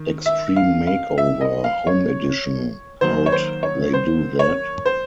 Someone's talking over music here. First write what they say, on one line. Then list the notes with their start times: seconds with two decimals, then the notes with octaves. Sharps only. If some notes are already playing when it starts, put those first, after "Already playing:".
Extreme Makeover: Home Edition: How'd They Do That?
Already playing: D#3
0.26 E5
0.56 F5
0.87 F5
1.18 E5
1.41 D#5
1.64 F5
1.87 C#5
3.01 D#3 F#3 A#3 C5
3.26 C#5
3.32 C5
3.63 C#5
3.93 C5
4.39 C#5
4.86 C5